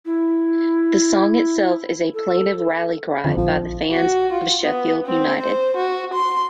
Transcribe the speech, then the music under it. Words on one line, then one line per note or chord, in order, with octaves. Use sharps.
The song itself is a plaintive rally-cry by the fans of Sheffield United.
E4
A4
F2 D3
A#1 F3
F#4
F4
B3
C4
C5
F#4
C6